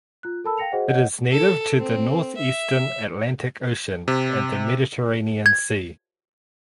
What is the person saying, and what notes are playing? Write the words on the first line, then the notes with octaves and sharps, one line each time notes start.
It is native to the northeastern Atlantic Ocean and the Mediterranean Sea.
F4 F#6
A4 A#4 A5 B5 E6
F5 G5 A#6 C#7 F7
F#4 G#4 C5 D#5 F#5
C#5 D#5 F#5 G6
A4
C4
E5
C3
G#6